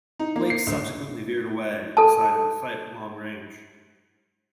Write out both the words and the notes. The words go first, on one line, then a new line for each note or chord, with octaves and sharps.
Blake subsequently veered away and decided to fight at long range.
D#4
A#3
C7
D2
A4 A5